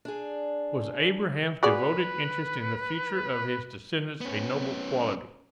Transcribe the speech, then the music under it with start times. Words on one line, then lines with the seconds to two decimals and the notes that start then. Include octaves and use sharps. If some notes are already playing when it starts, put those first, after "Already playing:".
Was Abraham's devoted interest in the future of his descendants a noble quality?
0.05 D4 G#4
1.63 F#4 G#4 B4 D5
4.21 B3 C#4